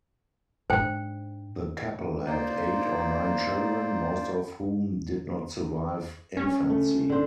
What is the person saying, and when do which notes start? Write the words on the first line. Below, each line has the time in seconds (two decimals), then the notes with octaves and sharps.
The couple had eight or nine children, most of whom did not survive infancy.
0.70 G#2 D4 C5 G5
2.26 A#3 D#4 F4 C5 D5
6.37 C#4
6.69 A3
7.09 D3 C5